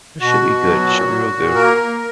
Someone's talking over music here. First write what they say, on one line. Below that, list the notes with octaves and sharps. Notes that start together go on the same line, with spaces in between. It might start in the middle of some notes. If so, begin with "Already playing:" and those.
it should be good. It should be real good.
B2 F#4
B2
F#3
A#2
A#2
A#2
A#3 A#4
A#3